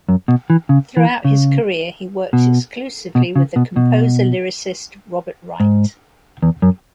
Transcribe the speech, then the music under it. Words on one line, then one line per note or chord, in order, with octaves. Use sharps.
Throughout his career he worked exclusively with the composer-lyricist Robert Wright.
F#2
B2
E3
C#3
E3
C#3
B2
B2
C#3
B2
B2
G#2
E2
F#2